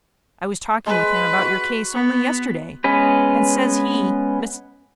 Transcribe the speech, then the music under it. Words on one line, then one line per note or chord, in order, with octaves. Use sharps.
I was talking with him about your case only yesterday, and says he, 'Mrs.
G#3 B4
F#4
B3
G#3 B3 C#4 B4